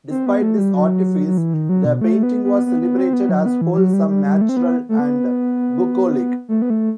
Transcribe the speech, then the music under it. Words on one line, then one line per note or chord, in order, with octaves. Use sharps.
Despite this artifice, the painting was celebrated as wholesome, natural and bucolic.
C4
B3
A3
G3
F#3
F#3
E3
D#3
F#3
B2
A3
B3
B3
B3
B3
C4
B3
F#3
B3
E3
E3
F#3
G3
G3
G3
A3
C4
B3
A3
B3
A3
B3
A3